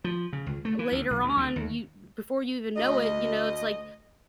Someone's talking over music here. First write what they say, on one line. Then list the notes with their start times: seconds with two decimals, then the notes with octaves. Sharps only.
th later on, you before you even know it, you know, it's, like,
0.04 F3
0.33 C#3
0.46 C#2
0.65 A3
0.79 E3
0.92 D2
1.11 B1
1.23 D2
1.37 D2
1.56 D#2
2.76 D2 D#5